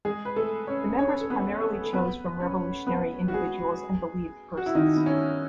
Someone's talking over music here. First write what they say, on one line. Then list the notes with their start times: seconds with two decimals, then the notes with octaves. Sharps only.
The members primarily chose from revolutionary individuals and believed persons.
0.05 G#3 G#4
0.25 B4
0.36 A3 A4
0.67 C#4 C#5
0.99 C#4 C#5
1.21 A4
1.30 B3 B4
1.61 A3 A4
1.84 A4
1.93 B3 B4
2.40 C#4 C#5
2.87 B3 B4
3.28 F#4
3.34 G#3 G#4
4.57 F#4
4.66 E4
4.75 D#3 D#4
4.96 B3
5.06 C#4